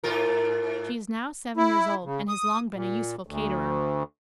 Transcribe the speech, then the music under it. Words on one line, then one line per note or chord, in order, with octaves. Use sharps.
She is now seven years old, and has long been a useful caterer.
G#2 F4 A#4
E4
C#3
D#6
A#2
D2